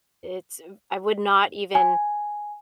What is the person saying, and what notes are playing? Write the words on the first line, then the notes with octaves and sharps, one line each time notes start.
it's I would not even
G#5